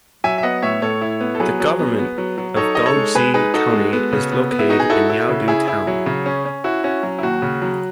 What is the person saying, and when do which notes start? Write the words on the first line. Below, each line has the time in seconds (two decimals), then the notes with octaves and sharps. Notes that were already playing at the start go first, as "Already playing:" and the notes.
The government of Dongzhi County is located in Yaodu Town.
0.24 F#3 E5 G#5
0.38 E5
0.43 B3 D#5 F#5
0.62 A2 C#5 E5
0.82 A2 A4 C#5
1.01 E4
1.21 B3
1.35 A4
1.40 F#3 G#4 B4
1.60 F#3
1.79 B3
1.99 B3
2.18 F#3
2.38 F#3
2.56 D#4 A4 C#5
2.75 D#4 D#5
2.86 A4 C#5
2.96 G#3
3.15 G#3 G#4 B4
3.34 D#4 G#4 B4
3.54 D#4 F#4 A4
3.73 G#3
3.93 B3
4.13 C#3
4.32 B3
4.51 B3
4.59 E4
4.69 D#4 F#4
4.80 G#4
4.90 E4 F#4 A4
5.10 E4
5.29 C#3
5.48 E4 G#4
5.68 E4
5.87 F#3
6.06 C#3
6.26 C#4
6.45 C#4
6.64 E4 F#4
6.84 C#4 F#4
7.03 F#3
7.19 E4
7.23 D#2 F#4
7.42 C#3
7.62 F#3